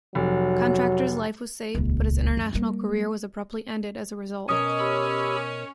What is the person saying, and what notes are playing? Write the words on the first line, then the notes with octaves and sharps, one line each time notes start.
Contractor's life was saved but his international career was abruptly ended as a result.
F1 F#3
D#1 C#2
F#2
G3 A#3
B2 C#4 A#4 D#5 D#6
G4 B5 E6